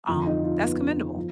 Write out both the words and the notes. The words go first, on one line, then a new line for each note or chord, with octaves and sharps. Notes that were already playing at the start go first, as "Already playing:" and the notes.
um, that's commendable
F2 D3 F3 F4
D#4
F4
B3
F3